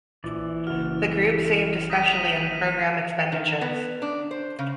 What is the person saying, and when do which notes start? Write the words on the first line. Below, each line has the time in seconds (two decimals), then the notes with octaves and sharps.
The group saved especially on program expenditures.
0.24 A#1 E3 D5
0.67 F#1 F#4 F6
1.90 D#4 A#6 B6 D#7
3.32 D#3
3.61 B3
4.02 D4
4.31 C5
4.59 C#3